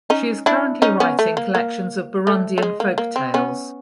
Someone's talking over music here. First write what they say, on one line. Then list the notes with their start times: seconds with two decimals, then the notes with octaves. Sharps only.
She is currently writing collections of Burundian folk tales.
0.10 C#4 D#4
0.46 D4 E4
0.82 C#4 D#4
1.00 B3 C#4
1.19 A3
1.37 A#3
1.55 A#3
2.27 A3
2.58 A3
2.62 G#3
2.80 A#3
2.98 A#3
3.16 C4
3.34 B3 C#4